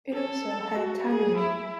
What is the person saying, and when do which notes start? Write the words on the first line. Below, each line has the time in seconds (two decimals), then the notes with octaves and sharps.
It also had a tannery.
0.13 A4
0.75 F#4
1.06 G#4
1.38 E4